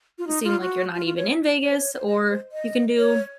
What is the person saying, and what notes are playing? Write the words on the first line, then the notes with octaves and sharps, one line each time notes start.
seem like you're not even in Vegas, or you can do
F4
D#4
F4
F#4
F4
F4
C#5
C#5
C5
C#5
C5
D#5
C5
D#5
C#5